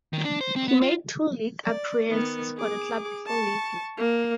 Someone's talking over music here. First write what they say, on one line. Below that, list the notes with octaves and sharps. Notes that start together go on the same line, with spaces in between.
He made two league appearances for the club before leaving.
D#3
D4
C5
C4
B3
F4
D5
D#3 B3
G#4 D6
A5 C#6
A#3